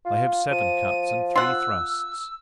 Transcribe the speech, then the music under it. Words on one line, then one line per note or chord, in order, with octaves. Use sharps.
They have seven cuts and three thrusts.
F4
F3 D#7
F4 F#5 E6